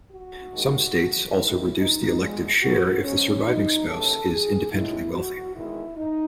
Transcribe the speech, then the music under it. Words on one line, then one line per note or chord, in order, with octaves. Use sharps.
Some states also reduce the elective share if the surviving spouse is independently wealthy.
F#4
D#2 D#3 G#3
D#2 D#3 G#3 E4
D#4
E2 B2 G#3
F#4
G#2 F#3 C#4
D#4
D#2 C#3 E3 A4
G#4
A2 G#3 E4
F#4
E2 D#3 G#3 E4
D#4